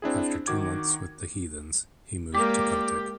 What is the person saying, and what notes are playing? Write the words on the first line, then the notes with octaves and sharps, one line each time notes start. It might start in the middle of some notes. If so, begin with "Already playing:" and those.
After two months with the Heathens, he moved to Celtic.
C4 D4 E4 G#4
D#3 F#4 D6 G#6
G#3 A#3 G4 D5 D6